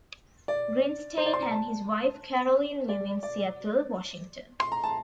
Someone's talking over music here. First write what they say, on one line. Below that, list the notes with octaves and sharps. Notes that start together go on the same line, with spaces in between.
Grinstein and his wife Carolyn live in Seattle, Washington.
D5
C5
D5
C6
A#5
A5
D5
D5
C6
A#5
A5